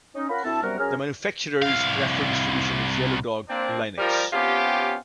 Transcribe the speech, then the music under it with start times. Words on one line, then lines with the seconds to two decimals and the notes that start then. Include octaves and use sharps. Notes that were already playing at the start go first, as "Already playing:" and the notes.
The manufacturer's preferred distribution is Yellow Dog Linux.
0.15 C#4 D#4
0.30 C#4 F4 A#4 F#5 B5
0.44 D2 A3 C4 E4 A4 A5
0.63 F#2 C3 G3 B3 F#4 A#4
0.79 F#2 C#4 G#4 G#5 A#5 F6
1.62 C2 F5
3.49 A#3 C4 D4
3.98 F3 G3 A#4
4.33 C3 B3 C#4 F4 G4